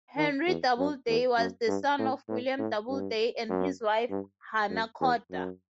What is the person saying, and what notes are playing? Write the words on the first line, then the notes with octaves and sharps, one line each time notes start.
Henry Doubleday was the son of William Doubleday and his wife Hannah Corder.
D#3
E2
F#2
E2
F#2
G2
A2
A2
A2
G2
F#2
G2
F#2
E2
F#2